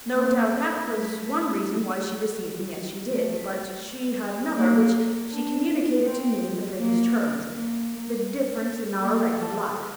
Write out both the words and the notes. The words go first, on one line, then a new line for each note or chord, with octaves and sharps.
"No doubt that was one reason why she received me as she did; but she had another, which she communicated to me in the plainest terms--the difference in our rank of life."
A#3
A3
A3
A#3
D4
C4
A#3
A#3
A#3
A4